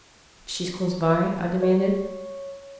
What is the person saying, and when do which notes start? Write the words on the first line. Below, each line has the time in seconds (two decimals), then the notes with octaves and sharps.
"She's close by?" I demanded.
1.62 C#5